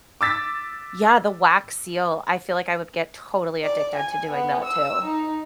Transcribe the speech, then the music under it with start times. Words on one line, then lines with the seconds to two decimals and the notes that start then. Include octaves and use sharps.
yeah, the wax seal, I feel like I would get totally addicted to doing that, too.
0.21 D6 E6 A6 B6
3.63 D5
3.96 G#5
4.32 B3
4.64 E6
5.05 D#4